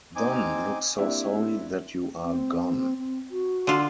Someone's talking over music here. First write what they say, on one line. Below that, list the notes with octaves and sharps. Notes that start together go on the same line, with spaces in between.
Don looks so sorry that you are gone.
C4 D#4 G#5 D6
A#3 C4 D4 E4 G4
C4
C4
F#4
D3 F4